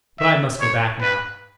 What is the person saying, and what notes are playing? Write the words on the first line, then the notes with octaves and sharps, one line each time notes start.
But I must go back now.
E5
C#5
B4